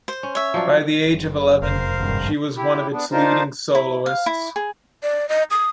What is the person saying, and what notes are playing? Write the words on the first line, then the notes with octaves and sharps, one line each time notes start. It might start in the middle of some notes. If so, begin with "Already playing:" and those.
By the age of eleven, she was one of its leading soloists.
C5
C#4
C#5 E5
F3 F#3 D4
F#1
F1 A#4 C5 F5
G#1 G2
E4 G4
B3 D4
D4 D#4 F4 A#4 C5
E4
F5
E4
G#4
D5
D#5
D#6